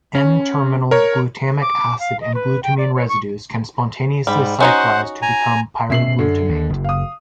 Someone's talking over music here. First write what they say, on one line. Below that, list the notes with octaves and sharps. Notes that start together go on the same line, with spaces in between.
"N"-terminal glutamic acid and glutamine residues can spontaneously cyclize to become pyroglutamate.
C#4
A#4 C#5
D6
F5
D#5
B4
G5
D5
C#5
C#6
G#2 G3 B5
C#4 D#4 F#4 C5 F#5
G#5 A#5
B2 C#4 E5 C7 F#7
F#2 D3
D#2
F#1
F5 D#6